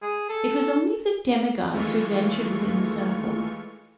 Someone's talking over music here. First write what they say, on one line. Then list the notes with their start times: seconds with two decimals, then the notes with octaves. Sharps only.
It was only the demigods who ventured within the circle.
0.02 G#4
0.29 A4
1.72 D#2 E3 G#3 A3 F4 C#6